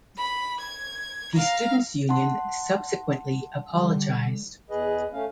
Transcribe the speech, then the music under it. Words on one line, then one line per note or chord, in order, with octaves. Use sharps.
The Students' Union subsequently apologized.
B5
G#6
F5 A#5
F#5 A5 C6
D3 G3
E2 G#4 B4 D#5
A3 C#4 F5